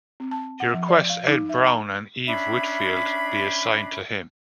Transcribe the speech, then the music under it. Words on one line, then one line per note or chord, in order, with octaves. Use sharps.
He requests Ed Brown and Eve Whitfield be assigned to him.
C4
A5
F#5
F3
D5
F5
D#4
E5
A#5
C#4 D4 E5 B5